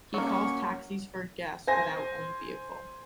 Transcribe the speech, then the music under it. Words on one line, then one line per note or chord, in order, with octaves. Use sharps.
He calls taxis for guests without own vehicle.
F#3 A#3 C#4 C#6
C5 G#5 A#6